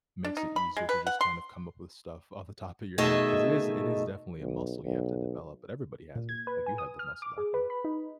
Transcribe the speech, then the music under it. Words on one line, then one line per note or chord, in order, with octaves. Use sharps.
makes it easier to just kind of come up with stuff off the top of your head 'cause it is it is definitely a muscle you have to develop, but everybody has it. Like, you have the muscle, I think.
D4
D#4
B5
G#3
B4
F#5
C6
B2 D#3 A3 G#4 D#5 E5
B1
B1
A#2
G#6
B4
G#5
D#6
F6
D6
G#4
B4
B5
D#4